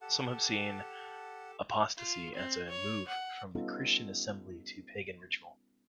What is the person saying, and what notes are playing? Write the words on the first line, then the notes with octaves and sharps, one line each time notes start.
Some have seen apostasy as a move from the Christian assembly to pagan ritual.
G4 A4 F#5 A5
F4
C4
C#5
F#5
G3 B3 C#4 D#4 F4 A4